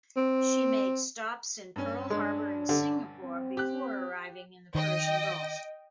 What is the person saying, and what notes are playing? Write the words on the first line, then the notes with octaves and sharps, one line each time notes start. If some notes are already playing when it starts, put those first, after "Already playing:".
She made stops in Pearl Harbor and Singapore before arriving in the Persian Gulf.
C4
G2 C#4
G#3 D4
D3
C4
G4 F#6
D#3 D#5 G5